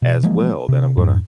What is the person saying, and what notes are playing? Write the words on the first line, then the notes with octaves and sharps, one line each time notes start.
as well that I’m gonna
B2
E3 F3 G#3 A#3
C3
F2 G#2